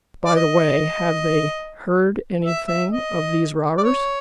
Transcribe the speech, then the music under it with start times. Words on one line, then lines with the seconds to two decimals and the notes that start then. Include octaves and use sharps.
"By the way, have they heard anything of those robbers?"
0.25 D5
0.36 D#5
2.45 E5
2.68 E5
2.91 D#5
3.78 D5
3.84 C#5